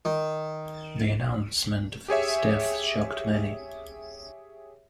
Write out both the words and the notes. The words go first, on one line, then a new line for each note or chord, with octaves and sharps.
The announcement of his death shocked many.
D#3
G4 G#4 C#5 E5